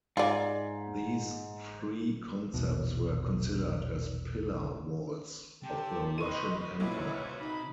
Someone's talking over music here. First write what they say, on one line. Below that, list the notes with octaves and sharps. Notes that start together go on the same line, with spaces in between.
These three concepts were considered as "pillar-walls" of the Russian Empire.
G#2 F4 D5
A#1 E2 B2
C3 G4 G5 A5
B4 D#5 C6 C#6 D#7
B1 A#2 E4 B4 C#5
D#4 B5